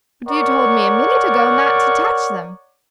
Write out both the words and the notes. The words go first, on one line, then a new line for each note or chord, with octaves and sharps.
"But you told me, a minute ago, not to touch them."
A#4 C#5 D5 F#5 C#6